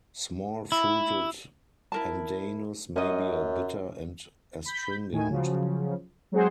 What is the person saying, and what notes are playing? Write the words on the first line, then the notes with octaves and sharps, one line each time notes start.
Small-fruited pandanus may be bitter and astringent.
E4
E4 A#4 A5
F#2 C#4 D#5
B5 G6
A2 D#3 G#5
C#3 F3 F#3
F#3 G#3 C4 F#4 G#4 C5